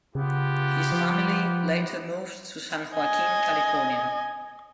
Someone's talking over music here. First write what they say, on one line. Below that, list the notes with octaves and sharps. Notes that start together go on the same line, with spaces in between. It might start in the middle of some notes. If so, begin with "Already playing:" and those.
His family later moved to San Joaquin, California.
C#3 B3 F4 G4
F3
D#5 G#5